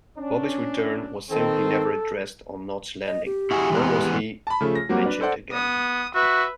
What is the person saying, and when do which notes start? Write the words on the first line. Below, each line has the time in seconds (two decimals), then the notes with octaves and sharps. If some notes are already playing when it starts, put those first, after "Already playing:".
Bobby's return was simply never addressed on "Knots Landing", nor was he mentioned again.
0.18 C#4 D4
1.31 D#3 C4 A4
3.06 D#5
3.25 G4
3.51 E4 F#4 G#4
3.70 E3 G#3 B3
4.47 A5 B5
4.61 C#3 F3 A3
4.75 A#6
4.89 F#3 G3 A#3 C4 F#4
5.05 D4 B4
5.21 A4 C5 D5 F#5
5.52 B3 D#6
6.15 F#4 B4 E5